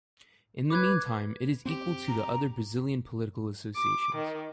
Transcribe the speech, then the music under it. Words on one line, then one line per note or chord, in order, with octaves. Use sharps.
In the meantime, it is equal to the other Brazilian political associations.
B4 D6 F#6 G#6
C4 G4
A#5
D6
D#3